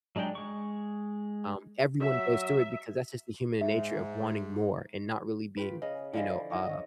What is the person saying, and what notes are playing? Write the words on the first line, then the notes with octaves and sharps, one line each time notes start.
um, everyone goes through it because that's just the human nature of wanting more, and not really being you know, uh,
F#3 G#3 D4 D#4 G5
G#3 C#6
F#3 E5
G#2 E5
F4 G4 B4
C#3 D#5
D3 E3 F3 D#5 F5 G5
D#4 E4 A#4
C#4 D#5